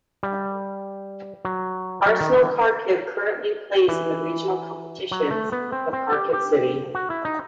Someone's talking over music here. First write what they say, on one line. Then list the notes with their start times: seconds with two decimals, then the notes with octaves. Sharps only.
Arsenal Kharkiv currently plays in the regional competitions of Kharkiv city.
0.23 G3
1.45 F#3
2.06 F#3
2.21 D#3
2.36 E3
3.88 E3
5.11 F#3
5.31 A3
5.52 B3
5.72 C4
5.93 C4
6.12 G4
6.33 G4
6.95 F#4
7.10 E4
7.25 D#4